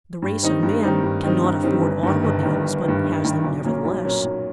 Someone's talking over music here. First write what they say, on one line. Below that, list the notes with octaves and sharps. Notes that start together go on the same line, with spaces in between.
The race of man cannot afford automobiles, but has them nevertheless.
G2
D#3 G3 C4 D#4
G2
D#3 G3 C4 D#4
G2
D#3 G3 C4 D#4
G2
D#3 G3 C4 D#4
G1
G2 D#3
G1
G2 D#3
G1
G2 D#3
G1
G2 D#3
B1
A#2 F#3 A#3 C#4
B1
A#2 F#3 A#3 C#4
B1